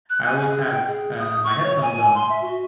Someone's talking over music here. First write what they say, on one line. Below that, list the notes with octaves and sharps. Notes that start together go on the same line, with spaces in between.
I always have, uh, my headphones on,
F#6
G#5
G#4
G5
G#4
D#6
C#6
C#5
G#5
C6
E5
F#4